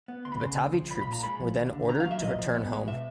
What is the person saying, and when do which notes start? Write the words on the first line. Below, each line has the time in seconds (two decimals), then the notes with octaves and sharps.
The Batavi troops were then ordered to return home.
0.08 B3
0.25 D2 C6
0.32 B5
0.40 C#3 C6
0.58 D2
0.74 F3
0.90 C2 B5
1.01 B5
1.07 A#2
1.13 A#5
1.23 G#3 B5
1.40 F3
1.56 D#2
1.73 D3
1.89 D#2 A#5
2.00 F5
2.06 F#3
2.11 E5
2.22 A#2 D#5
2.39 F3
2.55 B3
2.71 G#3
2.88 B2 E5